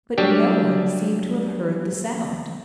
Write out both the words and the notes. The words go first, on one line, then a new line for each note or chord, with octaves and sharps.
But no one seemed to have heard the sound.
F#3 G3 D4 G4